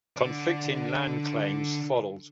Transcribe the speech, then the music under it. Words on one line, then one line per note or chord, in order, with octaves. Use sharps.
Conflicting land claims followed.
D3 D5